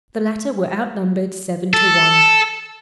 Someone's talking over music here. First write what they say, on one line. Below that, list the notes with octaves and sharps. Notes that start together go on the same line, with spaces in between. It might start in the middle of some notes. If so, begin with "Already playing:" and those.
The latter were outnumbered seven to one.
A4